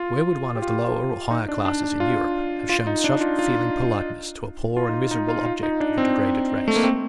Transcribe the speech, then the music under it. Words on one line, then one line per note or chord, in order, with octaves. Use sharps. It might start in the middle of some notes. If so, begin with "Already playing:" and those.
Where would one of the lower or higher classes in Europe, have shown such feeling politeness to a poor and miserable object of a degraded race?
Already playing: F4
G4
F4
D#4
D4
D4
D4
F4
F4
D#4
D4
F4
F4
F4
D#4
F4
D#4
F4
F4
D#4
D4
C4
A3
A#3
C4